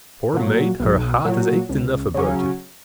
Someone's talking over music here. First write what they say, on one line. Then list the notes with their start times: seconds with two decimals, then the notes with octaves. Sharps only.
Poor maid, her heart has ached enough about it.
0.34 A#2 F#3
0.80 B1
1.25 A#2 F#3
1.69 C#2
2.14 C#3 F#3 C#4